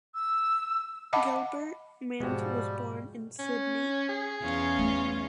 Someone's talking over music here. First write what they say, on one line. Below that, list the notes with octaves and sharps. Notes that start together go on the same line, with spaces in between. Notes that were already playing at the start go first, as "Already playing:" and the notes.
Gilbert Mant was born in Sydney.
E6
D#5 F5 F#5 A5 B5 D6
G#2 B2 F3 G3 G#3 F#4
C#4
G#4
E2 C#4 F4
A3